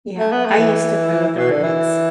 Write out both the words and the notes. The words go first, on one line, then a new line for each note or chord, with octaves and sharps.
Yeah. I used to play with the Rubik's
A3
B3
A3
E3
B2
D3
E3